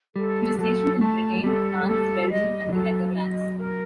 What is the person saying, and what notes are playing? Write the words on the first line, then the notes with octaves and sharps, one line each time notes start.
He was stationed in Britain, France, Belgium and the Netherlands.
G3 A4
F#3 A4
A3 A5
G3 A4
A4
D#5
D#3
F#3 A4
D#5
A#4